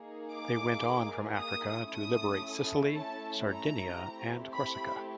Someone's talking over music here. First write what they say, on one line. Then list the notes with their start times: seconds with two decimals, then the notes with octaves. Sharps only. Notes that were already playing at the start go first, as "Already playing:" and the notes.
They went on from Africa to liberate Sicily, Sardinia, and Corsica.
Already playing: A#3 D#4 G#4
0.33 D6
1.37 D#6
1.90 A3 C#4 E4 A4 D#6
2.95 A5
3.49 A#5
4.01 A3 C4 E4 G4
4.54 B5